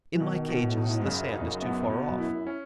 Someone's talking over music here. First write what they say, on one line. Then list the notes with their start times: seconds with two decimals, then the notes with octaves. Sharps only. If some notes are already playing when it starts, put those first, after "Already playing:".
In my cages, the sand is too far off.
0.15 E3
0.20 B2 D#3
0.49 B2
0.63 A2
0.77 D#4
1.00 G#2
1.05 F#2 C#3
1.33 D#4
1.40 E2
1.47 F#2
1.62 B3
1.90 B2
2.10 F#2
2.18 E4
2.33 F#2
2.47 C#4